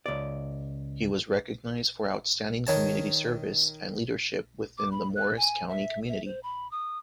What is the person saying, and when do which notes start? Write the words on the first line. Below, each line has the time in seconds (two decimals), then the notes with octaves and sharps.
He was recognized for outstanding community service and leadership within the Morris County community.
0.06 C#2 D5
2.67 D#3 C#5 A5
4.78 D6
4.92 B5
5.15 F#6
5.37 G#5
5.69 E5
6.09 E5
6.25 C5
6.43 B5
6.71 D#6